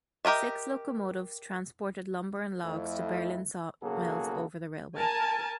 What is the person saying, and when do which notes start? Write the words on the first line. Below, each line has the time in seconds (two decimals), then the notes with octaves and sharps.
Six locomotives transported lumber and logs to Berlin sawmills over the railway.
0.25 G4 A#4 D#5 E5
2.64 F2 A3 E4
3.83 B1 C#3 A#3 F#4 G#4 A4
4.97 A#4 G#5 A5